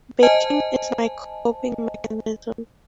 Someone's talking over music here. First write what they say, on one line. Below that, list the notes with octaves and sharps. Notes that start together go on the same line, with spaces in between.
Baking is my coping mechanism.
C5 D#5 G#5 A5